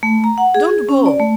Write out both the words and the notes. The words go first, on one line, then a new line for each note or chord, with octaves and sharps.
Don't go!
A3
A#5
F#5
G#4
C#4
D5
A3